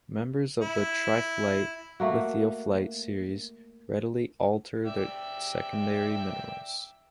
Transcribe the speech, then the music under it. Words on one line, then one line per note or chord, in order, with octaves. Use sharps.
Members of the triphylite-lithiophilite series readily alter to secondary minerals.
E4
A3 A#3 F#4
D5 E5 G5